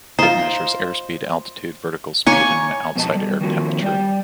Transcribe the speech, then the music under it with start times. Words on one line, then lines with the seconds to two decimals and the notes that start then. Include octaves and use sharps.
It measures airspeed, altitude, vertical speed, and outside air temperature.
0.19 D#4 F4 C5
2.26 A#3 C#5 G#5 C#6
2.96 F2 B2 C4 D4 D#5 A5
3.15 G3
3.41 D#3 F3 A#3 C4 F#4
3.82 G3 D5 G5